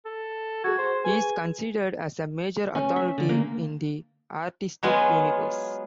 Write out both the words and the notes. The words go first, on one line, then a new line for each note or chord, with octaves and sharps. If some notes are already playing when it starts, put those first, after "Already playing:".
He is considered as a major authority in the artistic universe.
A4
F#4 G#4 G#6
C5
G#4 B4 G#5
C#4
E5
D3
A#3
F#3 G#3 B3 F4